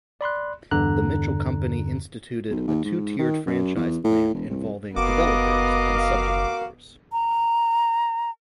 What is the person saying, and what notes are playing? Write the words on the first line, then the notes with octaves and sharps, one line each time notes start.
The Mitchell Company instituted a two-tiered franchise plan involving "Developers" and "Subdevelopers".
D5 B5 C6 F#6
E2 G2 D3 A#5 F#6
B1
D#2
G#2
D#3
F#2
E2
A2
E1
C2
F#1 B3 F#4 A#4 D#5 F5 D6
A#5